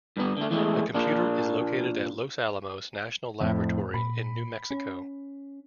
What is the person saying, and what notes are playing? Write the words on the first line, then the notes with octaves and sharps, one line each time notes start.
The computer is located at Los Alamos National Laboratory in New Mexico.
G2 B3
D3 A3
E2 E3 G#3 A3
A#2 A#3 D4
F2 A2
A#2 B5
C#4